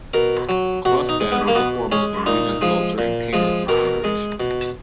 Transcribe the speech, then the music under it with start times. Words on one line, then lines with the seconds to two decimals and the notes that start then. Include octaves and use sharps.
Klukstad was the foremost Norwegian sculptor and painter of his generation.
0.14 B2 A#4
0.49 F#3
0.85 B2 F#4
1.09 D#4
1.20 G#3
1.32 B3
1.48 A#3
1.55 B2 B3
1.92 G#3 C#4
2.26 A#2 D#4
2.61 F3 G#3
2.98 A#2
3.33 F3 G#3
3.68 B2 A#4
4.04 G#3
4.40 B2